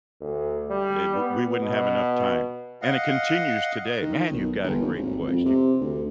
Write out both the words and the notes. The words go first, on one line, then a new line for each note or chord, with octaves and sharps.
They wo we wouldn't have enough time, and it continues today. "Man, you've got a great voice. You
D2
G3
B3
B2
D#5 F5 F#5
D#3
B1
G1
D#2
G#1
F2
C3
D2